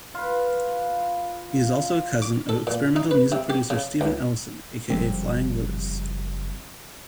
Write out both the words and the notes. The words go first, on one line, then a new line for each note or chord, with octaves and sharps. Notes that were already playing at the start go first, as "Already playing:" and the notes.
He is also a cousin of experimental music producer Steven Ellison, aka Flying Lotus.
F4 B4
D6
A4
A#2
D#4
B4
C3
G4
C#3
C#2
F#1 F3 G3 C4